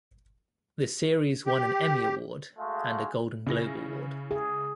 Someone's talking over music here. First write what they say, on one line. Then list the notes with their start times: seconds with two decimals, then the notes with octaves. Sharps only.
The series won an Emmy Award and a Golden Globe Award.
1.46 G4
2.59 G#3 A3 F#4 G#4 F5
3.47 C#3 E4 A#6
4.31 G#4